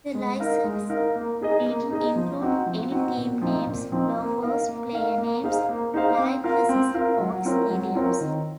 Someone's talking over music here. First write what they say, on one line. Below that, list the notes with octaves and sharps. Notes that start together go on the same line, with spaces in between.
The licence didn't include any team names, logos, player names, likenesses or stadiums.
G#3
D#4 A#4 F5
G#3
D#4 A#4 F5
A#3
D#4 G#4 D#5
A#3
D#4 G#4 D#5
F3
C4 D#4 F#4
F3
C4 D#4 F#4
A#2
F3 C4 D#4
A#2
F3 C4 D#4
A#3
D#4 A#4 F5
A#3
D#4 A#4 F5
A#3
D#4 G#4 C5 F5
A#3
D#4 G#4 C5 F5
C4
F4 A#4 F5
C4
F4 A#4 F5
F#3
C4 F4 A#4 C#5
F#3
C4 F4 A#4 C#5
D#3